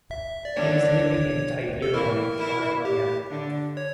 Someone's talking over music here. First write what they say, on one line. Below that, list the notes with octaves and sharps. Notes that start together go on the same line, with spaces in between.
He was living in Tiburon, California.
E5
D5
D3 D4 C#5
A4
E3 E4 A#4
E3 E4
G4
D3 D4
C#5